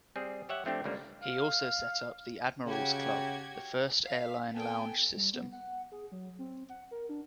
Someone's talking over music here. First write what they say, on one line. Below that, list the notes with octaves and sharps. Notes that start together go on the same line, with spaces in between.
He also set up the Admirals Club, the first airline lounge system.
G3 C4 G#4
G4 C#5 E5 F#5
F3 A3 C4 D4 G4
C#2 D3 G3 A#3
F5
C#3 F#4 G4 G#6
F5 B6
B3 A4 G5 G#5
G3
B3
F#5
G#4
F#3
C4
F#5
A#4
D4